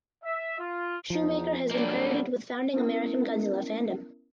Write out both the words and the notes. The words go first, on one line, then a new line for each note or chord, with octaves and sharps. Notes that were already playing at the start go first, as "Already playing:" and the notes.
Shoemaker has been credited with founding American Godzilla fandom.
E5
F4
E2 F3 D#4
D3 F#3 G3 A#3 D4
B3 C#4 E4 A#4